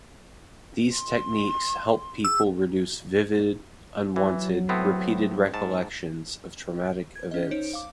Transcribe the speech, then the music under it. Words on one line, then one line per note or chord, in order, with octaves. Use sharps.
These techniques help people reduce vivid, unwanted, repeated recollections of traumatic events.
C6
G#4 E6
E3 F#3
A2 B3 C4
G#2 A5
G#6
C#4 D#5
D#4 C5 C#5 D7
F5 D6